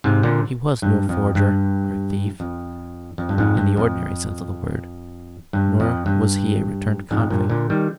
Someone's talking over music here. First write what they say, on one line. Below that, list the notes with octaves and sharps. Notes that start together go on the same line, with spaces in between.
He was no forger, or thief--in the ordinary sense of the word; nor was he a returned convict.
G#2 C3
A#2 D3
G2
F2
G2
F2
F2
G2
F2 G#2
G2
F2
G2
F2
G2
F2 G#2
G2 A#2
A#2 D3
D#3 G3